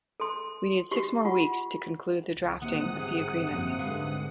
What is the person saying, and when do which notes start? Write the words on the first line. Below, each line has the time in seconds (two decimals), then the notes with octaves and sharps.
We need six more weeks to conclude the drafting of the agreement.
0.20 A4 C6
0.91 F#4 G4 C#6
1.25 F4 F#5 C#6
2.32 C#2
2.62 G1 G#2 C3 D#3 A#3 F#5 D#6
2.97 G4 G#4
3.47 F#2 D3 F3 A#3 C4
3.79 D2 G#2 D3 G#3 B4 F5